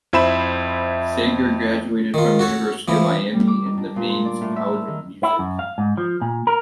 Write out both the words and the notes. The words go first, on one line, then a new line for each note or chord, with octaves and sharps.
Zager graduated from University of Miami and the Mannes College of Music.
F2 E4 C5 E5 B5 E7
D#3 F4
F#4 A4 C#5
E3 F3 E4
G3
D6
D#4
D4
A#2
C6
D5
A2
E5
A#4
D#3
E4
F#2
F5
G#2
F3
A#2
A#4